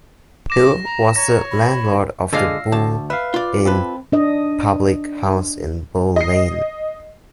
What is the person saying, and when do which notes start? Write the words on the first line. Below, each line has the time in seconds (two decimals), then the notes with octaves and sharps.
Hill was the landlord of the Bull Inn public house in Bull Lane.
0.50 D6 A#6 E7
0.85 A#5
1.16 C#5 A#5 A#6
1.51 B5
2.33 D3 G#3 F4 D5 F5 E6 A#6 C7
2.72 D2 A5
3.10 B4 E5 F5
3.34 F4 D5
3.65 F3 C4 A4 B4
4.12 D4 D#5
6.16 D#5 C7